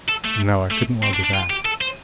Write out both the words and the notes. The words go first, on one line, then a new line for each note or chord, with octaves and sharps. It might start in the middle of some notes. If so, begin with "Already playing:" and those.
No, I couldn't well do that.
A4
A3
A3
C4
D4
D4
F4
G4
A4
C5